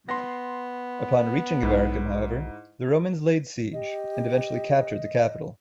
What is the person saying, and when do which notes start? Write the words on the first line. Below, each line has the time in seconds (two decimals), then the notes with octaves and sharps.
Upon reaching Avaricum however, the Romans laid siege and eventually captured the capital.
0.09 B3 C6 A#6
1.63 B1 G#2 E4
3.73 G4 D#5